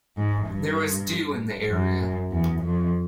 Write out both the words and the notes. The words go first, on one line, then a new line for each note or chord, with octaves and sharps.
There was dew in the area.
G#2
G2
F#2
E2
F2